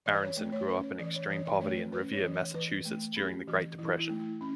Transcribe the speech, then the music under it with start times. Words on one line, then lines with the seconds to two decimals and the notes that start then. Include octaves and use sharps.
Aronson grew up in extreme poverty in Revere, Massachusetts, during the Great Depression.
0.06 E3 D5
0.14 B4
0.22 C#5
0.37 A3 D5
0.52 C#5
0.68 C#4 B4
0.83 C#5
0.99 E3 D5
1.15 C#5
1.30 E3 C#5
1.45 D5
1.61 A3 C#5
1.77 B4
1.92 C#4 B4
2.13 C#5
2.23 E3
2.34 C#5
2.54 E3 B4
2.85 A3
3.16 C#4 G4
3.47 E3 F#4
3.78 E3 E4
3.99 E4
4.09 A3
4.20 E4
4.41 C#4